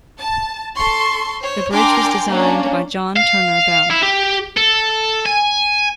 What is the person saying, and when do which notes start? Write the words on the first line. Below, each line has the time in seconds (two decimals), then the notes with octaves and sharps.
The bridge was designed by John Turner Bell.
0.19 A5
0.75 A4 C6 C#6
1.40 C5 C#5
1.71 D4 A#4 G5 G#5 C6 D6
2.29 A#3 C#4 D4
3.17 F5
3.91 E4
4.03 G4
4.57 A4
5.26 G#5